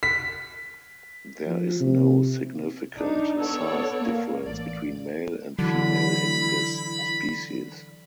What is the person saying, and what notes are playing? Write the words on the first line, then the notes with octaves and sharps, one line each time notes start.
There is no significant size difference between male and female in this species.
B6
F3
C3
D4 D#4
B3 A4 C#5 D5
A#3
A1 D5
D3 E3 F#3 E4 B5